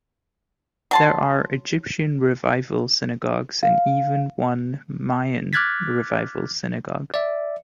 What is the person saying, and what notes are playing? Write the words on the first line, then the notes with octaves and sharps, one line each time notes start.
There are Egyptian Revival synagogues and even one Mayan Revival synagogue.
F#3 A5 C6
F5
D6 F6 F#6 G#6 A6 B6
D5 E5